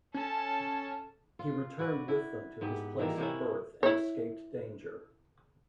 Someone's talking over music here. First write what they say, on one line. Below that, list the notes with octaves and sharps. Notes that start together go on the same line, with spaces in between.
He returned with them to his place of birth and escaped danger.
C#4 A4 A5
F4
F#4 B4 D5
E4
G#2 B3 G4
D#3 E3 G3 A#3
C3 A#3 C#4 E4
E4 C#5